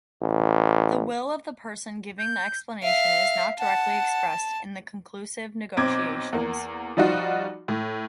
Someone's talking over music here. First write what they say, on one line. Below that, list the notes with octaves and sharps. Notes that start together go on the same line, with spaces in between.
The will of the person giving the explanation is not directly expressed in the conclusive negotiations.
A1
G6
E5 F5
F#5 A5
B1 C4 D6 G#6
E2 A#3
F3 G3 D#4 F4 F#4
A2